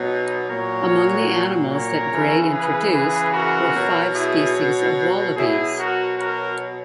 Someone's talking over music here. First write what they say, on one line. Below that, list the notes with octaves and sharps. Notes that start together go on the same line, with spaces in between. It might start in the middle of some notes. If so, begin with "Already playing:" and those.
Among the animals that Grey introduced were five species of wallabies.
Already playing: B2 F#3 B3 D#4
A#2 F#3 A#4 C#5
A#4 C#5
C#3 E3
G#4 B4
G#4 B4
F#4 A#4
B2 F#3
E4 G#4
B2 F#3 E4 G#4
F#4 A#4
F#4 A#4